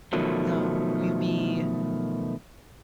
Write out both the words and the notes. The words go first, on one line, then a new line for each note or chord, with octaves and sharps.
No. We'd be,
B2 D#3 F3 F#3 A3